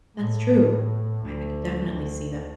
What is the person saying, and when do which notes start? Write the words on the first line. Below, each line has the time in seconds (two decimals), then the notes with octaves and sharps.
That's true. I I could definitely see that.
0.15 A2
1.22 D2
1.87 D2